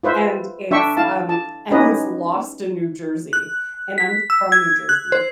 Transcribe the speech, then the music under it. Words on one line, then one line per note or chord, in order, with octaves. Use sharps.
and it's, um and it's lost in New Jersey, and I'm from New Jersey.
F4 B4 C5 E5
D4 E5 G5 C#6
E4 F5 A5
A5
C#4 D#4 E4 G4 B4 D#5
F#6
B6
E6
G#6
F#6
C5